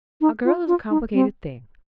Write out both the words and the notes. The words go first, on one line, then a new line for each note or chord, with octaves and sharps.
A girl is a complicated thing.
D#4
F4
F4
D#4
C4